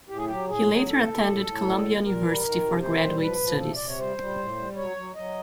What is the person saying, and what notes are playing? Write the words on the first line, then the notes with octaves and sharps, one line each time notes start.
He later attended Columbia University for graduate studies.
A2 G4
G#4
F#3 G4
A2 G#4
F#3
A2 A4
A2
A2
A2
G3
A#2
A#2 A#4
G3
D#3
C3
D#3 C5
G3
F3 B4
F3
C3 A4
C3 D5
C#5
G3 C5
G3
A2
G3
F#3 C#5
F#3
F#3 D#5